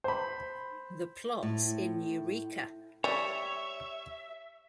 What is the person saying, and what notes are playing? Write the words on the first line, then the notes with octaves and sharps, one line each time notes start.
The plots in Eureka!
C5 B5
A2
G3 C#5 E5